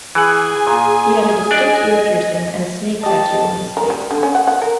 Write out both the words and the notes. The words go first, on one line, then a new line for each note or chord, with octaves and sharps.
He had a distinct ear piercing and a snake tattoo on his face.
E3 G#4 F#5 G#5
A#2
D4 D5 D#5
G4 D#5 A5
A#4
G3
D3
C#4
F#5
F#5
A#4